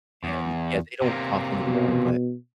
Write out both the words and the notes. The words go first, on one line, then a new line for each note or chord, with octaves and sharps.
and yeah, they don't talk anymore, but,
E2
C3 A#3
B2